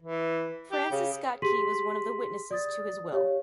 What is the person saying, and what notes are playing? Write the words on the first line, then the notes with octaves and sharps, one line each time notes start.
Francis Scott Key was one of the witnesses to his will.
E3
G4
C#3
G4 G#4 C6 B6 D#7 F#7
D5 D#6 A6
G4 C#5 F5